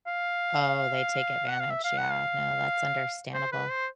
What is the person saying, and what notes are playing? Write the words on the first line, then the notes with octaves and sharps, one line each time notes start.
Oh, they take advantage, yeah, no, that's understandable.
F5
F#5
F5
E5
F5
F#5
F5
C5
B4
C5